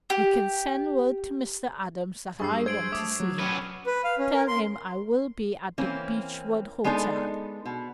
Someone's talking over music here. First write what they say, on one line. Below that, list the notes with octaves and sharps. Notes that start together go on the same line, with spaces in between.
You can send word to Mr. Adams that I want to see him. Tell him I will be at the Beechwood Hotel.
G4
G2 G#4 C#6 E6 C7
C5 G#6 D7 F#7
A3 D6 D#6
F#3
C#4 B4
B4
F5
C#4
A#4
C6
E3 A#3 C4 C#4
G#3 B3 D4 D#4 A4
B2